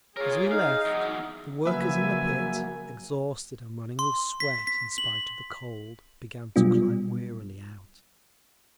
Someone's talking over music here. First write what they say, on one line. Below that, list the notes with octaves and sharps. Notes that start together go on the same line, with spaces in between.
As we left, the workers in the pit, exhausted and running with sweat in spite of the cold, began to climb wearily out.
F4 G#4 A#4 C#5
D#4 F5
E2 F#3
C#3 F3 F#3 A#3 B4 E5 G#5
C6
B6
B6
F#7
B2 F#3 G3 B3 D4 F4